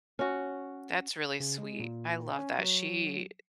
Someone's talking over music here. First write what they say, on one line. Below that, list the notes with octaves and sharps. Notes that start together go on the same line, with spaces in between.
That's really sweet. I love that. She
C#4 F#4
C#3
G#3
A#2
C#4
F#3